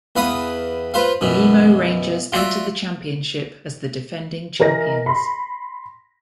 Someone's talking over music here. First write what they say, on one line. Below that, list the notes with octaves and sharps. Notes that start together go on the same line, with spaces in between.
Nemo Rangers entered the championship as the defending champions.
E2 B4 F5 B5 D#6
F4 B4 C5 F5
F#2 B2 E3
F4 F#4 D5 E5
E3 A#4 D#5 A#6
B5 C6